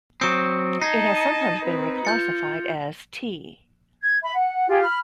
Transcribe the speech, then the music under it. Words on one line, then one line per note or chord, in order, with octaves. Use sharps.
It has sometimes been reclassified as T.
F#3 C4 D#6 C#7
D#4 D#5 A5 G#6 A#6 C7
C4 B4
F4 G6 A6 C#7
G#6
E5 B5
F#5
F4 G4 G#4 G5
B5 F6